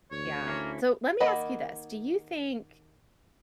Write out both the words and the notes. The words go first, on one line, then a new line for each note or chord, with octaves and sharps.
Yeah. So let me ask you this. Do you think-
D2 C#5
A#3 C#4 E4 A4
D#3 A#3 D#5 F#5 B5